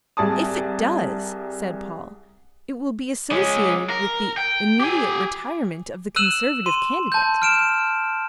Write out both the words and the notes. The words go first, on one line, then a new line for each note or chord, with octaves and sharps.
"If it does," said Paul, "it will be associated with the immediate retirement of the Conservative candidate."
C2 G#4 D5 A5 D#6
G#3 C#4
A#4
G5
G4 G#5
E6 F#6 D#7 E7 F#7
C6 D#7
A5 G6
F6 D7 E7